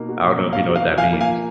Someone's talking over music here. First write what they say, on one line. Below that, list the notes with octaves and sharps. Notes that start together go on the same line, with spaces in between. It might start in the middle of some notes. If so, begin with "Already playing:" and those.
I don't know if you know what that means
Already playing: B2 A#3 D#4
F#4
B2
A#3
D#4 F5
F#4
F5
B2
F3 F5 G#5
A#3
F5 G#5
F4